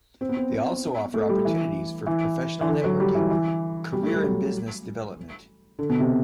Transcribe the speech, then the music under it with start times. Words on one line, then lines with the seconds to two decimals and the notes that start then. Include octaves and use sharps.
They also offer opportunities for professional networking, career and business development.
0.21 C4
0.29 B3
0.37 C4
0.52 B3
1.14 A3
1.29 G3
1.45 E3
2.07 E3
2.61 E3
2.69 D3
2.84 F#3
3.00 G3
3.15 E3
3.31 E3
3.93 G3
4.03 A3
4.14 G3
4.24 F#3
5.79 D3
5.89 B2
6.00 C3